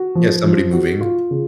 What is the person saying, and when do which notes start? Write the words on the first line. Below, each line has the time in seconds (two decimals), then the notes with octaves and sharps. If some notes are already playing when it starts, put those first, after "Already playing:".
Yeah, somebody moving.
Already playing: F#4
0.15 F3
0.44 F3
0.72 F#4
1.01 F4
1.31 C#3